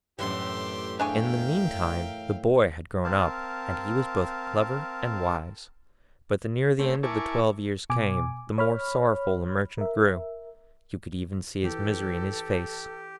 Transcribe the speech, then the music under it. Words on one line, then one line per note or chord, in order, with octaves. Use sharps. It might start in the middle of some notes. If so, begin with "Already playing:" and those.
In the meantime the boy had grown up, and he was both clever and wise. But the nearer the end of the twelve years came, the more sorrowful the Merchant grew; you could even see his misery in his face.
F#2 A2 E3 D4 G4 C6
D4 G#4 A#4 E5 F5 G5 C#6
C4 A#4 F5 A5
A3 C4 C#4
E4 A#4 G#5 A5 C#6 D6
B2 G#5 D6
C#5 B5 F6
A#4 E5
E3 G4 A4